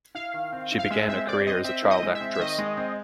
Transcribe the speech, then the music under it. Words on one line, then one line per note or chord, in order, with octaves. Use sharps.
She began her career as a child actress.
E4 F5
D#3
C4
E4
F5
G#3 E5
C4 E5
C4 D5
C4 D#5
C4 E5
E4
D#5
G#3
E5
C4
E5
D#3 D#5
G#3
C4